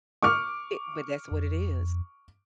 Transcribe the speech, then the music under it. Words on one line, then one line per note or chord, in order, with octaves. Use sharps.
I but that's what it is.
C#6 D6 F6
F2